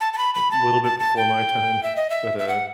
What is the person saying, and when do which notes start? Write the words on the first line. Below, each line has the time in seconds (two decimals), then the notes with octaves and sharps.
a little bit before my time, but uh,
0.01 A5
0.13 A5
0.18 B5
0.35 B5
0.51 A5
0.84 A5
1.00 A5
1.17 G5
1.83 E5
1.96 D#5
2.10 E5
2.39 E5
2.49 F#5